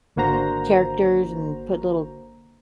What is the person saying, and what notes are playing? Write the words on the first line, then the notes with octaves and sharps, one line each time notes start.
characters and put little
G#1 D3 A#3 F#4 C5 A#5